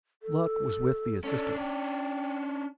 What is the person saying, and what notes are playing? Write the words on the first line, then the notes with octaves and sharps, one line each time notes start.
Luck was with the assistant.
A4
C#4 D4 A4
G5